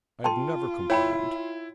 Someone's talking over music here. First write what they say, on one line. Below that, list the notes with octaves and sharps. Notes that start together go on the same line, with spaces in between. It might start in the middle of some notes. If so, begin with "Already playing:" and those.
I have never complained.'
F4 G5 A5 C6
E4 C#5 G5 B5